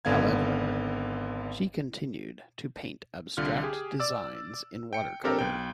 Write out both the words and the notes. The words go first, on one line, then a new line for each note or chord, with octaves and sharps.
However, she continued to paint abstract designs in watercolour.
G#1 D3 B3 F5 G#6
C2 D3 F4 F6
G4 G#4
D5 E6
G5 C#7
C4 D4 G4 A4 A#4
B1 G5